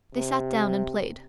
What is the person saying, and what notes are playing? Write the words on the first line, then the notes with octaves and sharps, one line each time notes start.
They sat down and played.
C3